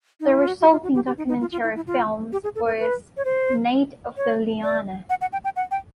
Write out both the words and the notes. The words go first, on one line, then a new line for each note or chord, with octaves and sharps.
The resulting documentary film was "Night of the Liana".
D#4
E4
F4
F#4
F#4
F4
F#4
G4
G4
D#4
D#4
F4
F4
E4
E4
F4
G4
G#4
A4
A#4
B4
C#5
C5
C#5
D5
F#5
F#5
G5
G5
F#5
G5